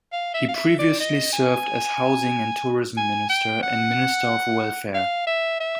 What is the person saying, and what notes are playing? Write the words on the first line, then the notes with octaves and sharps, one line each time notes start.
He previously served as housing and tourism minister and minister of welfare.
F5
E5
F5
E5
D5
D#5
G#5
G#5
G5
F#5
F5
E5
E5